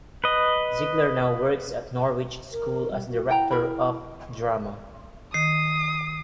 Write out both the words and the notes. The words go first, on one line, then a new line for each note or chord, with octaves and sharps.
Ziegler now works at Norwich School as Director of Drama.
B4 D#5
A#4
G3
F#4
E4 F#5 G5 A#5
G#4 A#4 B5
D#3 D#6 C7